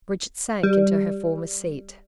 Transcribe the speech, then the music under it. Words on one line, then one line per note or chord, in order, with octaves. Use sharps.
Bridget sank into her former seat.
G3